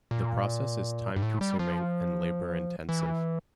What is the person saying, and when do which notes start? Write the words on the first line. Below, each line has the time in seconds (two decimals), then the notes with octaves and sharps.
The process is time-consuming and labor-intensive.
0.11 A#2
1.16 G2
1.22 A2
1.41 G3
1.59 F3
2.89 E3